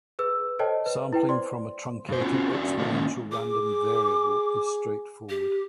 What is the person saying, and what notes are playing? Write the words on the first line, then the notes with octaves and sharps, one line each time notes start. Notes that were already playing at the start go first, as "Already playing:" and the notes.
Sampling from a truncated exponential random variable is straightfoward.
G#4 B4 E6
A4 C5 C#5 D#5 G5 A5
B4
E4 B4 G5
C5 D5 C6
G2 C5
C#4 F4 F#4
C#4 D4 F#4
A2 A#3 F4 A4 B4 D#5
D#3 G#3 A#3 C#4
G#4 D6
G4